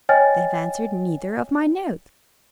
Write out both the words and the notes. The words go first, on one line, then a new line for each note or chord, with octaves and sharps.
They have answered neither of my notes.
C#5 D#5 G5 G#5 F6 A6